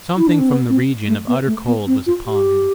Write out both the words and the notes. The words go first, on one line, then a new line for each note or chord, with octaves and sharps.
Something from the region of utter cold was upon him.
E4
D4
C4
B3
C4
A3
B3
A3
B3
C4
F4
G4